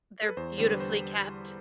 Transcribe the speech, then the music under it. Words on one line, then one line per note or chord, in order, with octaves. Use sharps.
They're beautifully kept.
A4
B4
E2 C5
D3 G3 C5
B4
C5